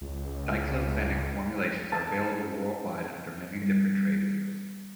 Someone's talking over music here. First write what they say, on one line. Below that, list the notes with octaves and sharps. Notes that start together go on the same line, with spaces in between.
Diclofenac formulations are available worldwide under many different trade names.
C#2
A5
G3